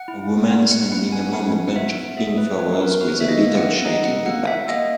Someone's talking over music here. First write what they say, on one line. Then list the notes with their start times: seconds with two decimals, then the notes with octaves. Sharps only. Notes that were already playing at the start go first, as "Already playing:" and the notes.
A woman standing among a bunch of pink flowers, with a little shack in the back.
Already playing: F#5
0.08 E4
0.50 B3
0.71 F#5
0.92 E4 F#5
1.12 G#5
1.33 B3 F#5
1.68 F#5
1.76 B3 E5
2.17 G#4 E5
2.38 B4
2.59 B3 B4
2.81 A#4
3.01 F#4 B4
3.20 E5
3.29 D#5
3.43 A#3
3.57 F#5
3.85 D#4 D#5
4.05 F#5
4.26 A#3 F#5
4.47 E5
4.68 A#3 D#5